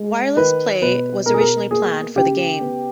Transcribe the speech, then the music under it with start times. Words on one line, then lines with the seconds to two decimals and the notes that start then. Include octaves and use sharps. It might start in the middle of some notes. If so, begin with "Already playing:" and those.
Wireless play was originally planned for the game.
Already playing: G#3
0.37 D#3 B4
0.82 B2 B4
1.26 B2 A#4
1.34 G#4
1.41 A#4
1.71 A#3 G#4
2.16 C#3 G4
2.61 B3